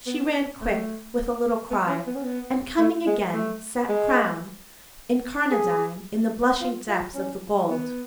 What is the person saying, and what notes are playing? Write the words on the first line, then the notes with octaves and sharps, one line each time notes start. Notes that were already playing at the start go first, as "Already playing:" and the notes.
She ran quick with a little cry, and coming again, sat crowned, incarnadine in the blushing depths of the gold.
B3
A3
B3
C#4
B3
C#4
B3
A3
G#3
A3
G#3
G#4
F4
F4
C#4
B3